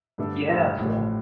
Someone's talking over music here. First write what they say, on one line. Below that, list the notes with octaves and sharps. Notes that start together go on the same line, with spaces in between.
Yeah, yeah.
G2 D3 A3 D4 A4
G2 D3 A3 D4 A4
A1 A2 F3